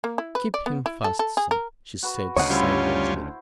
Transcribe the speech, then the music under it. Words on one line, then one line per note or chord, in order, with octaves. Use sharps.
"Keep him fast, sir," she said savagely.
A#3
E4
B4
D5
B3
E4
A4
A4
G#4
A#4
F#4 B4
D2 C#3 C#5 D#5 F#5
G3 C#4 E4 F4 C5 B5